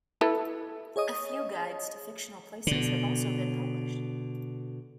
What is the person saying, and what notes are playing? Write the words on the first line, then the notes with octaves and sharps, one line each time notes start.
A few guides to fictional places have also been published.
E4 A4 B4
G#4 C#5 D#5 D#6
B2 D3